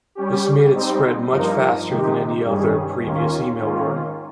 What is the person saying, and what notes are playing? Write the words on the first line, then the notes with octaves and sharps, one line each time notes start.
This made it spread much faster than any other previous email worm.
G3 C#4 G4
G#2 G3 C4 D#4
G2 F3 A#3 D#4 A#4
C3 D#3 G#3 D#4 G4
G2 D#3 G3 C#4 G#4
D#2 D#3 A#3 C#4 F4
G#2 D#3 A#3 C#4 F4